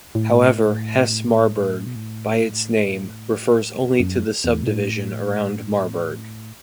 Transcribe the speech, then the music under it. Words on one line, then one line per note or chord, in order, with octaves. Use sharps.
However, Hesse-Marburg, by its name, refers only to the subdivision around Marburg.
A2
B2
A2
F#2
F#2
E2
B2
A2